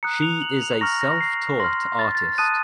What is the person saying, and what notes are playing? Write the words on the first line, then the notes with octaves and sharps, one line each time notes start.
She is a self-taught artist.
A#5 D#6 F#6 C#7
F7
F#7
F7
A#5 C#6 F6 A#6
A#6
A#6
C7
C6 F6 A#6
A6
A6
A5 D#6 F#6 D#7